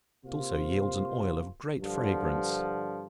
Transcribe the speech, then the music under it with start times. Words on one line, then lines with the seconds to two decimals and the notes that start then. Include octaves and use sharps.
It also yields an oil of great fragrance.
0.23 C3 A#3 F4 C5
1.80 G2 D3 F3